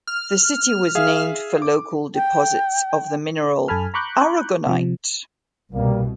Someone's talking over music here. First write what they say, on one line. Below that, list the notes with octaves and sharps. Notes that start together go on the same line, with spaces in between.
The city was named for local deposits of the mineral aragonite.
F6
G#4 E5 F5
D6
G5
F#2 A4 G#5 A5 B5 F6
A#5 B5 C#6 D6 F#6 G6
C3 F3
C2 B2 G3 A#3